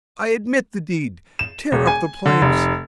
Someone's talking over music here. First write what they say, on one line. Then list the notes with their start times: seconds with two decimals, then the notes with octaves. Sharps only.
I admit the deed!--tear up the planks!
1.39 E7
1.72 E1
1.87 G#5
2.26 D3
2.42 F1